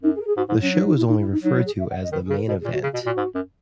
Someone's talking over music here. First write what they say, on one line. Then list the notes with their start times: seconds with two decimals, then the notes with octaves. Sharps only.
The show was only referred to as The Main Event.
0.03 F#2 D#4
0.14 G#4
0.20 A#4
0.26 G#4
0.37 G#2 F#4
0.49 G#2 E4
0.61 F#3 C#4
0.73 D#4
0.85 D#4
0.95 E4
1.08 D#4
1.19 E4
1.31 D#4
1.42 F#3 D#4
1.55 E4
1.65 G#4
1.78 E5
1.90 F#5
2.01 D#5
2.12 D#3 B4
2.24 G#4
2.30 C#3
2.35 A#4
2.48 B2 A#4
2.59 G#4
2.65 A#2
2.71 F#4
2.83 C#3
2.94 B2
3.00 F#4
3.06 A#2
3.17 G#2
3.35 F#2